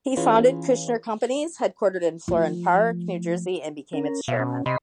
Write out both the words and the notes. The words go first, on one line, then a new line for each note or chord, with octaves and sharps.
He founded Kushner Companies-headquartered in Florham Park, New Jersey-and became its chairman.
E3 C#4 F4 G#4 B4
F3 A3
C#4 A#4
B2 E5 F5
C#4
C3 D#5 B5 C6